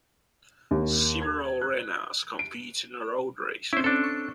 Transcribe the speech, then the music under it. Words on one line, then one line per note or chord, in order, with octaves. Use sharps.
Several runners compete in a road race.
D#2
G#6
F#6
D7
C4 C#4 E4 C5
D4 A4
C#6